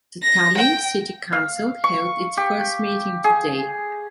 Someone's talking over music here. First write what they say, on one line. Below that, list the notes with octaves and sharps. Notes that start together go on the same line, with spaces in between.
The Tallinn City Council held its first meeting today.
A#6
G5
F5
C#6
G4
G#4